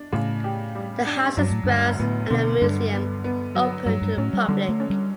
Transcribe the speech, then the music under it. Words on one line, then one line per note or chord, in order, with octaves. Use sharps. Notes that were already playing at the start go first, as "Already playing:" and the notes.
The house and its grounds are now a museum open to the public.
Already playing: D4
A2 C#3
G4
G3
D4
G2 F#3
A2
D2 G2
A2 B3
B2 D3
G2 D3
B3
B3
F#3
G2 F#3
G2
A2 C#4
G3
D3 G3
A3
C#4
G3